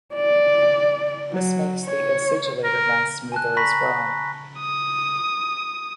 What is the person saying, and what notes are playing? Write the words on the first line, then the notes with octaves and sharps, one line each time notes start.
This makes the acidulator run smoother as well.
D5
F#3
C#5
A#4
G#5 A5 F#6
A#5 B5 C#6 A#6 B6
D#6